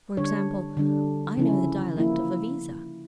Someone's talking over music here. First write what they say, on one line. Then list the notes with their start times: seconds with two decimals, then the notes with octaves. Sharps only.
For example, I know the dialect of Iviza.'
0.17 D3 G3 D4 C#5
0.77 D3 G3 D4
1.37 C#3 F3 C#4 E4
1.97 F3 A#3 E4